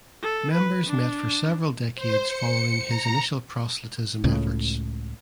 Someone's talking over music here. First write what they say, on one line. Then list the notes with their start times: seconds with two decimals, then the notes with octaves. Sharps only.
Members met for several decades following his initial proselytism efforts.
0.22 A4
0.54 B4
0.87 D4
1.95 C5
2.26 C#7
2.86 A#5
4.24 C#2 A2 C#3